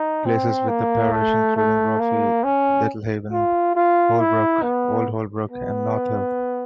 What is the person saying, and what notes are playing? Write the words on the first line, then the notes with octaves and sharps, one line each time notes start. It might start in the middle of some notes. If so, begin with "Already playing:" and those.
Places within the parish include Roffey, Littlehaven, Holbrook, Old Holbrook and North Heath.
Already playing: D#4
C4
A#3
A3
A3
A#3
C#4
F4
F4
E4
B3
B3